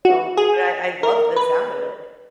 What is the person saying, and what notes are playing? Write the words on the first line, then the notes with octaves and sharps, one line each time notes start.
No, but I I love the sound of it.
F#4
G#4
A#4
B4